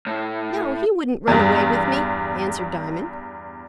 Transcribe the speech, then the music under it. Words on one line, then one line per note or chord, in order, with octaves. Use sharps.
"No, he wouldn't run away with me," answered Diamond.
A2
E2 G2